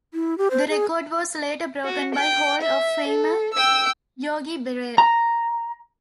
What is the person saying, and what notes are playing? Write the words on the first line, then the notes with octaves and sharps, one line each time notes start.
The record was later broken by Hall of Famer Yogi Berra.
E4
G4
C5
G#4
F#4
G5
E5
A4
G5 E6
A#5